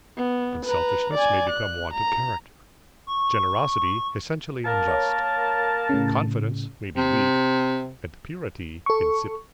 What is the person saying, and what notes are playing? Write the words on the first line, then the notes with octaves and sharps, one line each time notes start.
Unselfishness may become want of character; generosity essentially unjust; confidence may be weak, and purity insipid.
B3
B4 A#5
D5 G#5
F#6
A#5
C#6
A#3 A#4 A5
C#5
A2 C#3
C3
A4 C#6